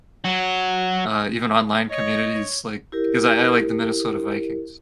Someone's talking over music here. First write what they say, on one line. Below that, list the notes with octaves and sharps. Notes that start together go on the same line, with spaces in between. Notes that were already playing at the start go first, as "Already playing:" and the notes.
uh, even online communities, like, because I I like the Minnesota Vikings.
F#3 F#4
C#5 D#5
E4 G4 A#4